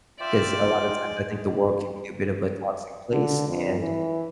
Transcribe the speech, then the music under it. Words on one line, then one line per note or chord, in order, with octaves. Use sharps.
'cause a lot of times I think the world can be a bit of a toxic place and,
F4 D5 E5 G5
G#3
D3
F2
E3